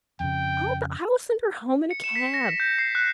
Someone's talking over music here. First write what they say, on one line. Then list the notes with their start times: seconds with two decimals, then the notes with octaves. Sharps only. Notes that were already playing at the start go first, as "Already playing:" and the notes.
'Oh, but I will send her home in a cab.
0.20 F2 C#3 G5
1.91 C#7
2.04 E7
2.15 B6
2.34 A#6
2.60 G6
2.79 C7
2.95 F#6